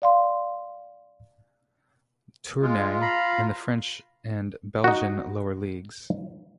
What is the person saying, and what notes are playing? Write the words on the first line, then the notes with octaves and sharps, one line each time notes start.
Tournai in the French and Belgian lower leagues.
D5 F5 C6
G#3 F4
F5 A#5 B5
D#4 F#4